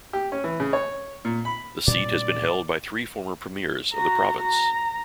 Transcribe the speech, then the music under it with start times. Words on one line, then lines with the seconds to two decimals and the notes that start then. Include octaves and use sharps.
The seat has been held by three former premiers of the province.
0.13 G4
0.32 C#4
0.44 E3
0.60 C#3
0.73 C#5
1.25 A#2
1.45 B5
1.87 A#2 G3 C#4 D5
3.95 F#4 A#5
4.42 A#5